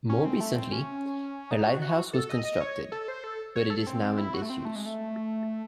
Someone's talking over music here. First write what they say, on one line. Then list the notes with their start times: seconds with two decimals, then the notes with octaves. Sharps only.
More recently a lighthouse was constructed, but it is now in disuse.
0.10 C#4
0.25 C4
0.40 A3
0.56 C4
0.72 C#4
1.51 D#4
1.66 F#4
1.82 F#4
2.13 A4
2.29 D#5
2.45 D#5
2.61 C#5
2.92 A4
3.08 C5
3.24 A4
3.56 C#5
3.70 A4
3.87 C4
4.02 C4
4.18 E4
4.34 F#4
4.42 A3
4.50 C4
4.65 A3
4.75 G#3
4.86 A3